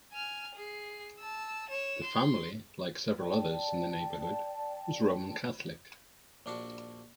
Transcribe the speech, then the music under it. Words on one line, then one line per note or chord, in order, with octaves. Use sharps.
The family, like several others in the neighbourhood was Roman Catholic.
G#5 F6
G#4 C7
A5 E6
C#5 E7
C6
D5 G5 A5
A#1 D4 F#4 A5